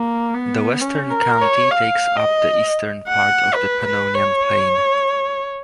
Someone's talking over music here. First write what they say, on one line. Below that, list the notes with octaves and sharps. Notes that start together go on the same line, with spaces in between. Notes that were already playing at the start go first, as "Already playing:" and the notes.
The western county takes up the Eastern part of the Pannonian Plain.
Already playing: A#3
B3
C#4
A#4
C#5
F5
D#5
F#5
B4
B4
C#5